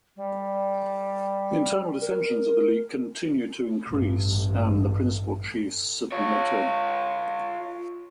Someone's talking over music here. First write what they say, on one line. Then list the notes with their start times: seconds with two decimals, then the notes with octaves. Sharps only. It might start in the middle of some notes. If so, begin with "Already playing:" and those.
The internal dissensions of the league continued to increase, and the principal chiefs submitted.
0.16 G3
2.02 A#4
3.88 A1 G2
6.12 F4 C#5